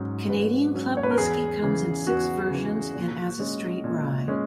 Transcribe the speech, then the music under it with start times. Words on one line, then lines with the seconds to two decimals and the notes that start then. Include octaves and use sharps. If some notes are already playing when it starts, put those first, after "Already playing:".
Canadian Club whisky comes in six versions, and as a straight rye.
Already playing: G#2 F#3 C#4
0.29 G#2 B4
0.74 F#3 C#4
0.97 C#5
1.03 B4
1.11 A#4
1.18 E2 G#4
1.62 C#3 E3
2.07 E2 F#4
2.51 C#3 E3
2.95 A#2
3.39 G#3 C#4
3.84 A#2
4.28 G#3 C#4